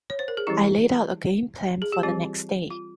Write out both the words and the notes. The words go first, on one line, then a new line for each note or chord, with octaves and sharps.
I laid out a game plan for the next day.
C#5
C5
A#4
G#4
E3 G3 C#4 E4 G4
G#4
G4
E3 G3 C4 F4
F4